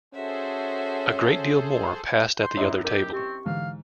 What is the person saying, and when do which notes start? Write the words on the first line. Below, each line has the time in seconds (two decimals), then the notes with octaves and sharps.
A great deal more passed at the other table.
0.14 C#4 F#4 G#4 A4 C5 E5
2.42 C6 G6
2.57 F#2 D#4 E4 C#5 D#5 E5
2.85 G4 A#4
3.13 C4 G4 C#6
3.46 G#2 D3 E3 F5